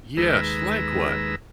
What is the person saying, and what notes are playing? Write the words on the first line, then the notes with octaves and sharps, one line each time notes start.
Yes, likewise.
D#2 G#3 B4 A#5 E6